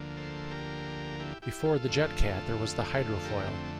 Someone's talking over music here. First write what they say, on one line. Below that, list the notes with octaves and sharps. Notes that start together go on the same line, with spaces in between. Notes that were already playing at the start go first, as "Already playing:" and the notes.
Before the JetCat there was the hydrofoil.
Already playing: D2 D3 F3 A#3
A4 C5
G4 A#4
E4 G4
E4 G4
F4 A4
F2 D3 A3
G4 A#4
C4